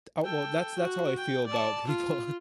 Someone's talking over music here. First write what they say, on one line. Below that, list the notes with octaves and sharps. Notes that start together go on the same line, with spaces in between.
Oh, well, that's that's how I feel about people
A4 G5
F#4
G5
D5 A5
F4